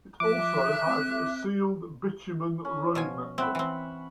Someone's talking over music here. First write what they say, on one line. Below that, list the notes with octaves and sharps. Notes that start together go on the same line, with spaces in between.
It also has a sealed, bitumen road network.
F3 E5 D6 F#6
C4
C#4
B2 F3 G#5
C4 E5 F#5 B5
E3 C4